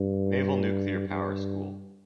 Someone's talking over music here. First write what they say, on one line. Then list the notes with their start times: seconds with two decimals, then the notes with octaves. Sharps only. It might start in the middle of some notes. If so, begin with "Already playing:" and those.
Naval Nuclear Power School.
Already playing: G2
1.09 G2